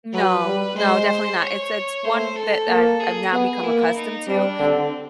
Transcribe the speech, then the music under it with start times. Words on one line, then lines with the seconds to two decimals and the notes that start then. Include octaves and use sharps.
No no, definitely not, it's it's one that I've I've now become accustomed to,
0.13 F#3 B4
0.46 G3
0.77 G#3 C5
1.41 C#5
2.04 A3 C5
2.36 A4
2.68 A#3
3.00 G#4
3.32 B3 G#4
3.63 A#3 E4
3.96 D#4
4.27 G3 D4
4.59 D3 C4